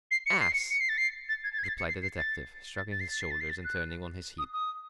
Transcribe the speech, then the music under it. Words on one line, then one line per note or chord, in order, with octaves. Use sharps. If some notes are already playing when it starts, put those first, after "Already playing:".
"Ass!" replied the detective, shrugging his shoulders and turning on his heel.
C7
C#7
C7
C#7
C#7
C7
A6
C7
A6
G#6
A6
G#6
C7
A6
C#7
C7
C7
A6
A6
A6
C7
A6
C7
A6
C7
A6
F#6
D#6
D#6